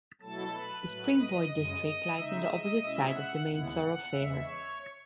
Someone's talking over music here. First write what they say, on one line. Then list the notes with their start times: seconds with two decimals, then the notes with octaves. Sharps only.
The Springboig district lies on the opposite side of the main thoroughfare.
0.21 B2 F#3 A3 E4 A4 A5
0.54 B4 B5
0.86 A2 F#3 A3
1.19 D#5 D#6
1.51 F#2 C#3 G#3 D#5 D#6
2.16 C#3 G#3 D#4 E5 E6
2.49 D#5 D#6
2.82 B2 G#3 C#4 E4 E5 E6
3.14 F#5 F#6
3.47 D#2 C#3 G#3 B3 E4
4.12 E2 C#3 E3 G#3 E5 E6
4.44 C#5 C#6